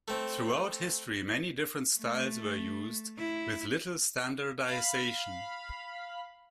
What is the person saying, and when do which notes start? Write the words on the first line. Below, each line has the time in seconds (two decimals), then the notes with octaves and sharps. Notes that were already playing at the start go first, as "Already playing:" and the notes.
Throughout history, many different styles were used, with little standardization.
0.08 A3 C4
1.98 A3
3.18 E4
4.68 F5 B5